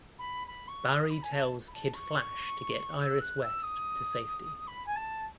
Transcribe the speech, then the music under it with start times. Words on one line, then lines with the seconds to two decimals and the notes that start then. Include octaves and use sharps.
Barry tells Kid Flash to get Iris West to safety.
0.19 B5
0.47 B5
0.68 C#6
0.88 D#6
1.10 B5
1.23 G#5
1.31 A5
1.68 B5
1.74 A5
1.94 C#6
3.00 E6
3.20 F#6
3.42 E6
3.62 D#6
4.67 B5
4.86 G#5
4.95 A5